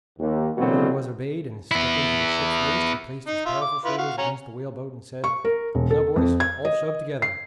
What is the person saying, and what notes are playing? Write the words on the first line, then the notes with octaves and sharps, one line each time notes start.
The order was obeyed, and stepping to the ship's waist, he placed his powerful shoulders against the whale-boat, and said: "Now, boys, all shove together!"
D#2
B2 D3 E3 F#3 A#3 C4
B3 E4
D#4
F4 E5
D6
E4 F4 B4
F#4 F5
C#4 G#5 A#5
C#6
A#4
E1
A4
F2
G#6
D#5
C7